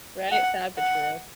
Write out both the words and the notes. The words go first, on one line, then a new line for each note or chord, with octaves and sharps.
Right, sad but true.
F#5
F#5